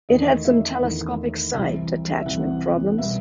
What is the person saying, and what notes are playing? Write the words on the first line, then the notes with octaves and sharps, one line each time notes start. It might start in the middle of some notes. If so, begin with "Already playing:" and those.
It has some telescopic sight attachment problems.
E2 D#3 A3 D#5
E5
E2 D#3 A3
C2 C3 E3
E5
C2 C3 E3 F#5
B2 G3 B3 E5